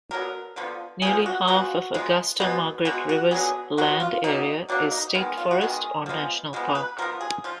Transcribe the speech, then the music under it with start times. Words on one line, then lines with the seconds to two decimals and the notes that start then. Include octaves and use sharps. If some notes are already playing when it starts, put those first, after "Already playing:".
Nearly half of Augusta-Margaret River's land area is state forest or national park.
0.11 D3 F#3 B3 A#4
0.56 D3 F3 B3
1.02 D3 F3 B3 G#4
1.26 F#4
1.48 F3 G#3 B3 F#4
1.94 F3 G#3 B3
2.40 B2 G#3 B3
2.85 B2 G#3 B3 F#4
3.09 F#4
3.31 D3 F#3 B3 G#4
3.77 D3 F#3 B3 F#4
4.00 F4
4.24 B2 F#3 A#3 D#4
4.69 B2 F#3 A#3 D4
4.91 D#4
5.14 D#3 G#3 B3
5.37 F4
5.51 F#4
5.61 D#3 G#3 B3 G#4
6.06 F3 G#3 B3
6.53 F3 G#3 B3
6.75 B4
6.98 F3 A#4
7.02 B3
7.21 G#4
7.44 F3 F4